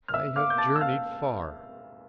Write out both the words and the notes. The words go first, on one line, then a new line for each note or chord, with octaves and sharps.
I have journeyed far.
F6
E5 E6
F5 D6 F6
G6
A5 A6
E6
F5 F6